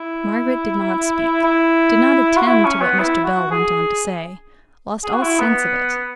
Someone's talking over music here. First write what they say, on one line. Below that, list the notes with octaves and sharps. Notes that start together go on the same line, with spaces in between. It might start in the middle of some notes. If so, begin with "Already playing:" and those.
Margaret did not speak; did not attend to what Mr. Bell went on to say; lost all sense of it.
Already playing: E4
E4
F#4
E4
C#4
B3
E4
F#4
G#4
G#4
F#4
E4
B3